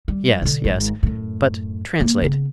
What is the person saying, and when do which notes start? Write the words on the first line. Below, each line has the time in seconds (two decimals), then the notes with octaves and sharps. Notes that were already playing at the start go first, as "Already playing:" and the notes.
"Yes, yes--but translate."
0.08 G3
0.42 B2 D3
0.64 G#1 G#3
1.03 F#2 A2
2.00 A#3 B3
2.22 C#3 B3